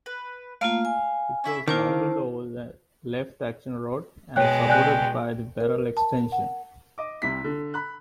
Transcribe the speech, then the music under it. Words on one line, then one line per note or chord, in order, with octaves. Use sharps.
It was mounted over the left action rod and supported by the barrel extension.
B4
A3 A#3 F4 F5
G#5
C#4 E4 E5
D#3 A#3 E4 C5 A5
B2 G#3 C#5 G5 F#6
D5 G5 G#5 F#6
A#4
A5
F#5
D#5 D6
C2 C3 E4 B6
D3
B5 F#6